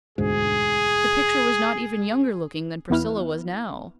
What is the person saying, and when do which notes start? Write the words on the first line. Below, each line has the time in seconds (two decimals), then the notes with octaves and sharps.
The picture was not even younger-looking than Priscilla was now.
0.18 E1 D2 G#2 G#4
2.90 E2 B3 E4 B4 F6